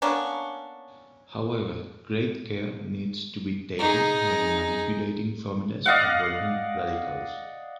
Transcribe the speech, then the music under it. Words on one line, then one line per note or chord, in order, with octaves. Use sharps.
However, great care needs to be taken when manipulating formulas involving radicals.
A#3 B3 C#4 D4
D#4 G#4
D5 D#5 F5 F#5